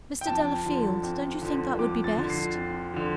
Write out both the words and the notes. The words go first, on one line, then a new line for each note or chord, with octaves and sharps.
Mr. Delafield, don't you think that would be best?...
G5
F2 A5
D3 F3
F2
D3 F3
F2 D6
A6
D3 F3
C7
F2
D3 F3